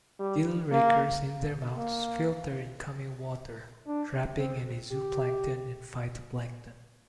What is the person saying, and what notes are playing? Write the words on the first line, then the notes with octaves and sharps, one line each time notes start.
Gill rakers in their mouths filter incoming water, trapping any zooplankton and phytoplankton.
G3
A#3
A#3
D4
C4
G4